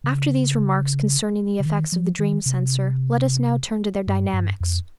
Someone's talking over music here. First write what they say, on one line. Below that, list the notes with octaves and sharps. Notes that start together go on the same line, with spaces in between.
After these remarks concerning the effects of the dream censor, let us now turn to their dynamics.
C#3
C#3
D#3
F3
D#3
C3
G2
G2
F2